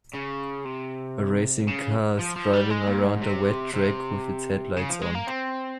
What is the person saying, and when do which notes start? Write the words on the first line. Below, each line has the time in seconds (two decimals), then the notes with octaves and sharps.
A racing car is driving around a wet track with its headlights on.
0.14 C#3
0.65 C3
1.68 C#3
2.19 F3
2.36 F3
2.53 G3
2.70 G#3
2.87 A#2
3.05 G#2
3.22 C3
3.73 C3
4.76 C#3
4.89 F3
5.02 G#3
5.15 A#3
5.27 C4